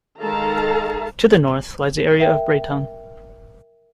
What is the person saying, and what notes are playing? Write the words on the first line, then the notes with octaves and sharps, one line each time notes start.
To the north lies the area of Braetongue.
D#3 G#3 A4 F5 A5 A#5
A#4 E5 G5